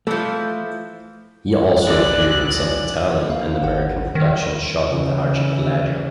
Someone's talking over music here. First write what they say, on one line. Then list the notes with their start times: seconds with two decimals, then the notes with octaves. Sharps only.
He also appeared in some Italian and American productions shot in the archipelago.
0.07 E3 F3 A3
1.87 A#1 E3 D5 F#6
3.29 A#3 F5
3.62 G#1 G4 F#5
4.15 D#3 A#6
4.88 C#3 E3